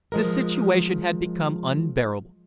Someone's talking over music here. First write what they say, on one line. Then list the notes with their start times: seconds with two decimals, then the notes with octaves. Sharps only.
The situation had become unbearable.
0.12 F3 G#3 A#4